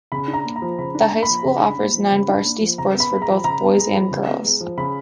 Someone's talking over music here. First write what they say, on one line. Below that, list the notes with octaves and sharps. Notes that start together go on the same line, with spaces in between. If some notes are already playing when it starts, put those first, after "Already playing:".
The high school offers nine varsity sports for both boys and girls.
C#3 B5
D4
A#5
A#3
A#5
F3
C#3 B5
D4
A#5
A#3
B5
F3
C#3
D4
A#3
F3
C#3
D4
A#3
F3
C#3 A#5
B3
B5
G#3
A#5
F3
C#3 A#5
B3
G#3
F3
C#3
B3
G#3
F3
C#3 B5